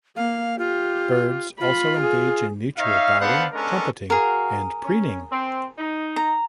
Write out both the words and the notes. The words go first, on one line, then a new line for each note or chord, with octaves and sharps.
Birds also engage in mutual bowing, trumpeting, and preening.
A#3 F5
F4 G4
F4 B5
G#4
D#4 C#5 E5 F5
B3 D4 A4 C5 F5 F#5
G#3 B3 C#4 D4 A4 A#4
F#4 G#4 A#4 F5
C#4
C4
D#4
A#5